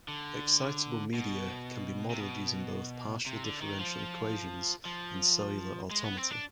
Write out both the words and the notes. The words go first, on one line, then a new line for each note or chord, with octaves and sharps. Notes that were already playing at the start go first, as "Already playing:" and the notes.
Excitable media can be modelled using both partial differential equations and cellular automata.
D3
B2
C3
B2
C3
D3
D#3
F3
F3
G#3
B3
C4
D4